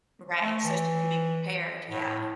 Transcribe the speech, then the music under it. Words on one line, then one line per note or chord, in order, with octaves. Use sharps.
Right, so she can be prepared. Yeah.
A3
E3
A2